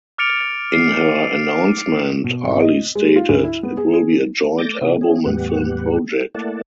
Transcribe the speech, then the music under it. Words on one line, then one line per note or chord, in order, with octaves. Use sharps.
In her announcement Ali stated ...it will be a joint album and film project.
D6 F6 A6 C#7 D7 F7
C7
B2
G#1
D#5
G#3
F4
D2
E4
B3
G#4
G#4
A3 D6 G6 A6 A#6
C3 E4 F#4
C#4 G#4
E2 A2 G3 B3 G4 F#5
A3 A#3 E4 D5 F#5 A5